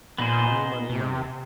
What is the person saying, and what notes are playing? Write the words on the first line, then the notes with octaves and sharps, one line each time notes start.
"Money, money, money!"
A#2 B3 D#4 G#4 C5
B2
C3